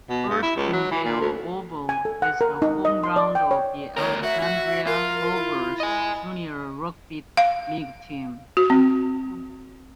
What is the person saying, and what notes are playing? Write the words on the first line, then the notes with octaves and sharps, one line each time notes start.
Erskineville Oval is the home ground of the Alexandria Rovers junior rugby league team.
B2
G2
E4
C#2
F#3
E3
A#2
D2
G#5
A4
F#5
A#4
D#4
D#5
C6
D5
G5
C#5
D2 A#4 C#5
F#4 E5
F#4
F4 A#4
E4
D#5 G#5
F5
F#4
C4